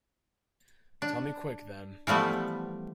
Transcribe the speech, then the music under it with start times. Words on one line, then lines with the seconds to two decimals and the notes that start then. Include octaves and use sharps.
Tell me quick, then.
1.02 D4
2.07 E3 F3 G3 A3 B3